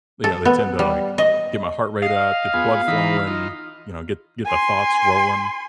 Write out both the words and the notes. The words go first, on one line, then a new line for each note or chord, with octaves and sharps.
You know, they tend to, like, get my heart rate up, get the blood flowing, you know, get get the thoughts rolling,
A4
B3
G3
D#5
D#5 F5
B3 F4 G#4
E3 D#4 B5
D#4 F4
G#5 C6